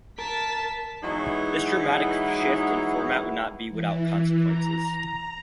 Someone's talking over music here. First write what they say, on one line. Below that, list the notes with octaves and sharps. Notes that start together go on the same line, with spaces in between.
This dramatic shift in format would not be without consequences.
A#4 A5 B6 E7
E3 F#3 G#3 B3 D#4 E4
E3
A#5